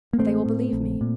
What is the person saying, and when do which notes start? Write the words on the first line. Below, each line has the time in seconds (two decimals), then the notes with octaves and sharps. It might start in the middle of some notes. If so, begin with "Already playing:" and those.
But they will believe me.
0.13 A#3
0.18 A1 A3 C4
0.45 A2
0.73 A#1
1.01 A#2